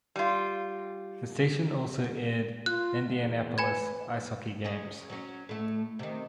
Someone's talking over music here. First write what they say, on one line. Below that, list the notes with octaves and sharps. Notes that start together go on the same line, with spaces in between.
The station also aired Indianapolis Ice hockey games.
G3 F4
F4 F#6
E2
B4 G#5 B5 G#6
C#4 G#4
F#3 C#4
A2 A3
C3 D#3